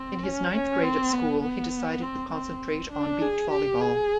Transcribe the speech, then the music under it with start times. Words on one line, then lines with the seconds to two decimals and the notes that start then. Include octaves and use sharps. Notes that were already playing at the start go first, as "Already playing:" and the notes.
In his ninth grade at school he decided to concentrate on beach volleyball.
Already playing: C4
0.24 C#4
0.54 C#4
0.83 C4
1.13 B3
1.43 B3
2.02 C4
2.32 C4
2.92 D4
3.22 G#4
3.51 G4
3.81 G#4